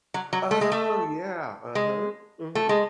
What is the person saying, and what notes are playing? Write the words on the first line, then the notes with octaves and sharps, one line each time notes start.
Oh, yeah, uh-huh, mhm.
F#3
F#3
A3
G#3
A3
G#3
A3
G#3